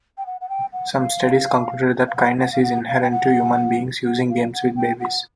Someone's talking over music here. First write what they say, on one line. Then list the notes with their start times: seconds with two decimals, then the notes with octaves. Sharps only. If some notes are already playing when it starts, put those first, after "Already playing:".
Some studies concluded that kindness is inherent to human beings, using games with babies.
0.18 G5
0.26 F#5
0.41 F#5
0.49 G5
0.73 F#5
0.97 F5
2.08 F5
2.16 F#5
2.39 F#5
2.52 F5
2.62 F#5
2.87 F5
3.03 G5
3.11 F#5
4.05 F#5
4.30 F5
4.53 F#5
4.76 G5
5.00 F#5